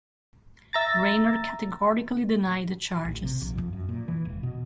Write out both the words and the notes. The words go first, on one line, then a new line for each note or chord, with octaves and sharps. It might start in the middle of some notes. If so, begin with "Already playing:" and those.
Raynor categorically denied the charges.
E5 A#5 A6
A1
C3
A#1
F2
F#2
A#2
E3
E1
B2